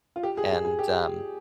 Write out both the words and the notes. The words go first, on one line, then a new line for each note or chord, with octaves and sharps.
And, um,
F4
G4
G#4
G#4
G#4
G4